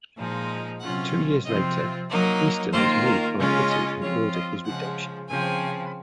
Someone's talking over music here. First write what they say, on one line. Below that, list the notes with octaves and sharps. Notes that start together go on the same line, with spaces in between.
Two years later, Easton was moved by pity and ordered his redemption.
A#2 F3 G#3 D#4
C3 F#3 C#4 F4 F#5
C3 F3 C4 F4 D#5
F#3 A#3 D#4
D#3 A#3 F4 C5
A#4
C#3 G#3 C#4 F4
D#5
F3 C4 F4 C#5
D#5
C#3 F3 G#3 F#5
C#3 F3 C4 G#5